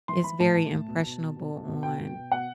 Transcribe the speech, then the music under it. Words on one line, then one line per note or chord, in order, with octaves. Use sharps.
It's very impressionable on
E3 C6
E3 B5
A2 A5
A2
A2
B2
B2
B2
B2
B2
B2
B2 G5
B2
B2
B2 F#5